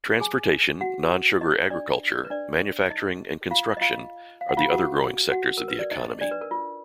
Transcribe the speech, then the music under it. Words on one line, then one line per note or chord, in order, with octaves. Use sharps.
Transportation, non-sugar agriculture, manufacturing and construction are the other growing sectors of the economy.
G#4 G#5
F#4 F#5
D#4 D#5
D4 D5
B4
D4 D5
D#4 D#5
F4 F5
D#5
F4 F5
F5
F#5
F4 F5
F#4 F#5
F#4 F#5
A#4
B4
D5
D#4 D#5
D4 D5
B4
A#4
F4